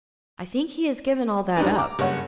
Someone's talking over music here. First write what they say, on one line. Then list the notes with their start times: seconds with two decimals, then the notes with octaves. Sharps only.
"I think he has given all that up."
1.57 G2 D4 D#4 B4
1.75 A#5 D6
1.99 F#1 G2 C#5 F#5